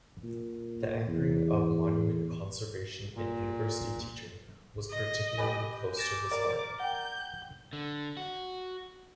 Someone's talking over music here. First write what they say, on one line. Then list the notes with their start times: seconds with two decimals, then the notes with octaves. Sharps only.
The anchoring of monument conservation in university teaching was particularly close to his heart.
0.23 A#2
1.08 E2
3.14 A#2
4.91 D#5
5.38 G4 B4 G#5
5.98 D6 A6 A#6 E7
6.31 A#4 D5
6.80 F#5 G5 G6
7.73 D3
8.17 F#4